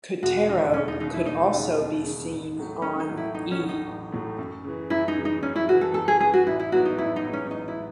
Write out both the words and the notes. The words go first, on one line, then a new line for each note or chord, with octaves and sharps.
Kotero could also be seen on E!
E1 F#4
D#2 C#3 D#4
E1 C#4
D#4
D#2 C#3 D#4
E4
E1 D#4
D#2 C#3
E1
D#2 C#3
A1
A2 F#3 A3
A1 C#4
D#4
A2 F#3 A3
E4
A1 D#4
C#4
A2 F#3 A3
D#4
A1
A2 F#3 A3
F#2
C#3 E3
F#2 E4
D#4
C#3 E3
D#4
F#2 C#4
E4
C#3 E3 F#4
A4
F#2 A4
G#4
C#3 E3 G#4
F#4
A1 E4
E4
G#2 F#3 B3 E4 F#4
D#4
A1 E4
D#4
G#2 F#3 B3 E4
C#4
A1 D#4
E4